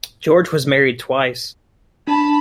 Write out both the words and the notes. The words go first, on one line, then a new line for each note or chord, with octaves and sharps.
George was married twice.
D4 A5 B5